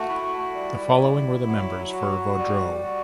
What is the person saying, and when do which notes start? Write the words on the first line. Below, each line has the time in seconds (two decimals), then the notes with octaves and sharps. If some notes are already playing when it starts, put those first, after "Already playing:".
The following were the members for Vaudreuil.
Already playing: A3 F#4
0.08 E4
0.54 G3
1.00 E4
1.46 F#3
1.92 F#4
2.38 G3
2.83 F#4